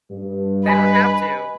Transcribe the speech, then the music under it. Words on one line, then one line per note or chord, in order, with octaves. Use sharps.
they don't have to
G2
B4 D#5 G#5 B5